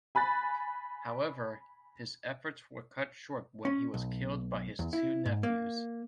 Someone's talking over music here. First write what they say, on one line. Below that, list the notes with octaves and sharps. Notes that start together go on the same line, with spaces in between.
However, his efforts were cut short when he was killed by his two nephews.
G#5 B5 F#6 A6
C#4
B1
E2
E4
G#2
A#3